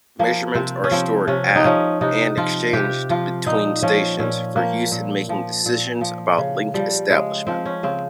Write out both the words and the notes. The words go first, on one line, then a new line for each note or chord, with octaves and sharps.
Measurements are stored at-and exchanged between-stations, for use in making decisions about link establishment.
F3 A#3
C3 C4
C#4
F3 C4
C3 C#4
D#4
F3 C#4
C3 D#4
F3 F4
C3 G4
F3 F4
A#2 D#4
F3 C#4
A#2 C#4
F3 A#3
A#2
F3
A#2
F3
C#3
F3 G3
C#3 G#3
F3 C4
C#4
C#3 C4